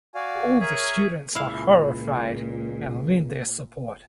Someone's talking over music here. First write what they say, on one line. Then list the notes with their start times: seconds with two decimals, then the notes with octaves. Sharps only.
All the students are horrified and lend their support.
0.15 F#4 D5 F5 G#5
0.60 G#4 A#4 C#5 E5
1.35 C#2 A#2 E4 F5